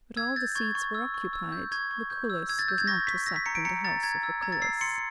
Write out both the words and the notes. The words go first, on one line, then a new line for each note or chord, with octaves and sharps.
But all the seats were occupied; Lucullus was not to sup in the house of Lucullus.
E6 G#6
G6 A6
C#6 G#6
C#6
E6
C#6
E6
G6
C#6 G#6
C#6
G6
E6
E6 G#6
A6
E6 G6
G#6
C#6 A#6
C#6 B6
E6 A#6
B6
A#5 C#7
D7
A#5 C#7
A#5 A6
A#5 G#6
E6
A#5 G#6
A6
E6 C7
C6 C#7